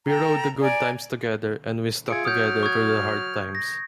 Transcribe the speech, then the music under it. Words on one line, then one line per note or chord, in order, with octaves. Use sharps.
We rode the good times together, and we stuck together through the hard times.
A4 G5 A#5
D5 G#5 A#5
F4 G#4 E5 G#6 C#7 D7
F#3 D#6 F6 G6
C#6 D#6 G#6
A#6